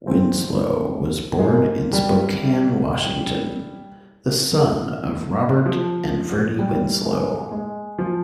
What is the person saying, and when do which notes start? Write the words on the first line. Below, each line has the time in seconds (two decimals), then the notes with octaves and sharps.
Winslow was born in Spokane, Washington, the son of Robert and Verdie Winslow.
0.07 C4
1.39 G#3
1.47 A#3
1.93 G3
5.66 F3
6.59 G3
7.05 G#3
7.51 G#3
7.99 F3